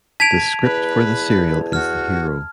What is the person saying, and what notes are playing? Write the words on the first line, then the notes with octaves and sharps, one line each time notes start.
The script for the serial is the hero.
A5 G#6 B6 D7 F7
E2 B4
F#4 F6